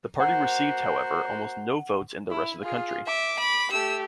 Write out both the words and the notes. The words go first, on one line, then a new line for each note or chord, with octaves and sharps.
The party received, however, almost no votes in the rest of the country.
A#3 F#4 C5 F#5
E4
F4 G#4
E5 D6
B5
A3 G4 E6